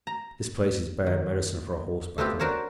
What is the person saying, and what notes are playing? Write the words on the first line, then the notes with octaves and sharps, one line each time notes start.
This place is bad medicine for a horse battle.
A#5
D#3
A3 B3 C4 F4 G4
D4 F#4 A#4 C5 C#5